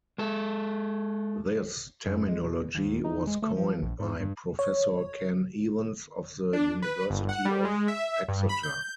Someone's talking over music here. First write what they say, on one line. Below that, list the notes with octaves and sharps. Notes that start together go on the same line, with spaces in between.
This terminology was coined by Professor Ken Evans of the University of Exeter.
G#3 A4
F#2
G#3
B2
D#2
D#4
G#3
A3
F3
A#1
G#2
G2
C#5
D4
B4
G1
F#5
G3
G#3
E5
G2
B5
G6